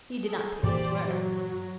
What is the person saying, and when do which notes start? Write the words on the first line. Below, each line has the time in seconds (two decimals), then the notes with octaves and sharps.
He did not pick his words.
0.21 G#4 A4
0.63 G2 A#2 E3 G4 C5 D5
1.06 F#3